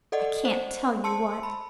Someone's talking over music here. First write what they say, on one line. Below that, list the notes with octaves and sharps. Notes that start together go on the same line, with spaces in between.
I can't tell you what.
A4 D5 D#5 F#5
C5
A5 C6 E6 C#7
B5